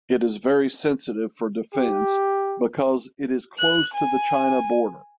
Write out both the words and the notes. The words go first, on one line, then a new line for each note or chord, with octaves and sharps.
It is very sensitive for defence because it is close to the China Border.
G4
F#6
G#5